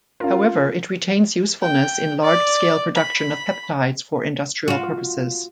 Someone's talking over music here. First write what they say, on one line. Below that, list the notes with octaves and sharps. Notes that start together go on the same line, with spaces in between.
However, it retains usefulness in large-scale production of peptides for industrial purposes.
C#4 F4 A#4 F5
G5
D5
B5
F4 F#4